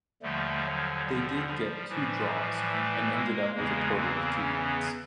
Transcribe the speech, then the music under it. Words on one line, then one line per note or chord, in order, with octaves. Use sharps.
They did get two draws and ended up with a total of two points.
D#2 D3 F3 G3 A3
F#3
F3 G3
F3 G3
A2 E3 F3 G3
G3 A3
G#3 A#3
E2 C#3 E3 G#3 A#3
A#3 C4
B3 C#4